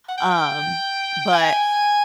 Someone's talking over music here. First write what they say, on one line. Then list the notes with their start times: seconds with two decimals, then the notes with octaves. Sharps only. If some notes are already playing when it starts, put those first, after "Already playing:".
um but,
0.09 F#5
0.18 G5
0.31 G5
1.33 G#5